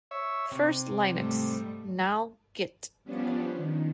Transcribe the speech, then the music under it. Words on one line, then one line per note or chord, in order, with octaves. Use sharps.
First 'Linux', now 'git'.
C#5 E5
C3
G#2 G3 A3
F3 G3 B3 C#4 D4
D#3